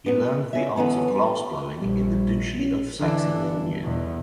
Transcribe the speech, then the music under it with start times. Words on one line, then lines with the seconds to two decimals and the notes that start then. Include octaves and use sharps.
He learned the art of glassblowing in the duchy of Saxe-Meiningen...
0.06 A#2 B3
0.53 C#3 E5
0.76 D3 E3 B3 C#4
1.08 G3
1.81 A#1 G3
2.59 C#4
2.99 D3 E3 D4
3.36 G1
3.82 E2 B2